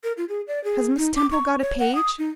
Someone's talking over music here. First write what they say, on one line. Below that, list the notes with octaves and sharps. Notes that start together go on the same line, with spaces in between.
Has Miss Temple got a page?
A#4
F4
G#4
D5
G#4
D#4
D6
C#6
C#5
F#5
D#6
D#4